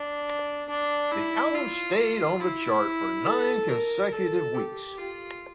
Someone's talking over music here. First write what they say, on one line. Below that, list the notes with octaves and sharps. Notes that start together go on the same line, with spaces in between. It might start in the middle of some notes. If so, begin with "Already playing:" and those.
The album stayed on the chart for nine consecutive weeks.
Already playing: D4
D4
E4
F4
F4
E4
A4
A#4
A4
G4
F4